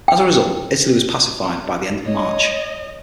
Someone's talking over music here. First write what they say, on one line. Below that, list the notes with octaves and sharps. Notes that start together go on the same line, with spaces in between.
As a result, Italy was pacified by the end of March.
G5
C#5 D#5